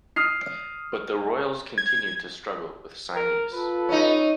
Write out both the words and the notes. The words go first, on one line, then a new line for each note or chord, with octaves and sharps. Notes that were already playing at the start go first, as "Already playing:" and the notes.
But the Royals continued to struggle with signees.
D#6 F6 C7
G#6
A#4
F4 A4 B4
C#4 D#4